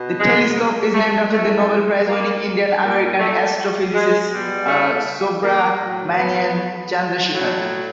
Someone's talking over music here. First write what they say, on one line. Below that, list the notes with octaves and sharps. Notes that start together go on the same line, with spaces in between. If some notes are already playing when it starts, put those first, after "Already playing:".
The telescope is named after the Nobel Prize-winning Indian-American astrophysicist Subrahmanyan Chandrasekhar.
Already playing: B2
G#3
A3
C3 E3 G#3 A3
A#3
A#2 G3 A#3
A3
G#3
B2 G3
A3
A#3
A2 F#3
B3
A2 F#3